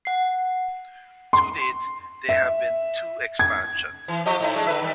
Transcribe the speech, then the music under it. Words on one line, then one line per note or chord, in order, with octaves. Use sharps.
To date, there have been two expansions.
F#5 C7
C6
E5
G#6
E3
F3 G4 D#5
A2 D#4 E4
G#3 A3 D4
D3 B4 E5
D#3 G3